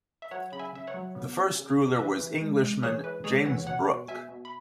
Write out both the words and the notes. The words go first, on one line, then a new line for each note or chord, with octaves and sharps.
The first ruler was Englishman James Brooke.
E5
F#3 C#5 F#5
C#3 B5
E5 G#5
C#3 E5
C#5 F#5
F#3
B3
C#3
C#3
C#3
E3 B4 E5
E3
G#3
G#3
E3 G#4 C#5
E3 B4
G#3 G#4 C#5
E3 C#5 F#5
B2 C#5 F#5
B2
B2 E5 G#5
B2
B5